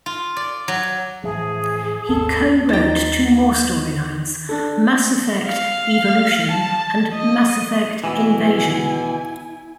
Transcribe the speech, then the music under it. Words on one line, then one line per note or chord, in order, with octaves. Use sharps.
He cowrote two more storylines, "Mass Effect: Evolution" and "Mass Effect: Invasion".
F4
D5
F#3
A2 E3 F3 G#4
G#1 D#2 A4
D#2 D#4 G5 A6
D4 A4
F5
A5
D#5
B2 E3 E4 G#5